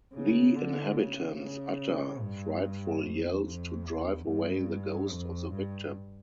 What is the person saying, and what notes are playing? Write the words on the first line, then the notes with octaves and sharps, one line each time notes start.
The inhabitants utter frightful yells to drive away the ghost of the victim.
C#3
D3
C#3
C#3
G2
F2
F2
E2
G2
F2
G2